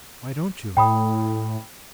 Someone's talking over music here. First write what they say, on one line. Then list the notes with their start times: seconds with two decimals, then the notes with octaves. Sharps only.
"Why don't you?"
0.77 A2 G5 B5 D#6